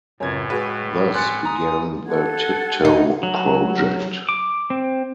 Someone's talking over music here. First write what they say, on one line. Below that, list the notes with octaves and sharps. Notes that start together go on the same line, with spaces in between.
Thus began the Tip Tow project.
C#2 F#2 A2 C#5 G#6
G#3 F#4 G#4 B4
G#5 C6 F#6 A6 C#7
A#5 D#6
A4 F#5 G#6
D#4
F#3
D6
C4